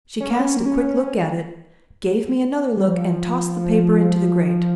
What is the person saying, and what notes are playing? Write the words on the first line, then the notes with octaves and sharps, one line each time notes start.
She cast a quick look at it, gave me another look and tossed the paper into the grate.
C#4
A#3
C#4
A#3
C#4
G3
F3